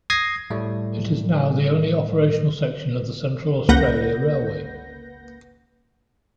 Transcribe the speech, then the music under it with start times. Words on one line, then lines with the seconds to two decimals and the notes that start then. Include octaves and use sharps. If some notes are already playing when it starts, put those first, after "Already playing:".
It is now the only operational section of the Central Australia Railway.
0.10 D#6 G#6 A#6 C7
0.50 A2 G3 A3
3.69 C#2 A#3 B4 F#5 G6 A#6